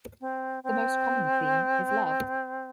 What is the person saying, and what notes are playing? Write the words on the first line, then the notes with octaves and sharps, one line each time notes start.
The most common theme is love.
C4
C4